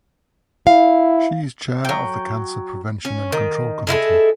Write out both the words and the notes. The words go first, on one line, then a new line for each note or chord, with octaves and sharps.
She is Chair of the Cancer Prevention and Control Committee.
E4 F5
F#3 G5
C#4
D#3
G#3 E4 F4 A4